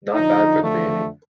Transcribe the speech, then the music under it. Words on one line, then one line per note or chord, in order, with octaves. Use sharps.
Not bad for the beginning.
F2 D3 F3 D#4
A3